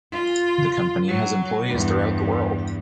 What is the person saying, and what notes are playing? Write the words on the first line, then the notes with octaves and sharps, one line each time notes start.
The company has employees throughout the world.
F4
F#3
E2 G2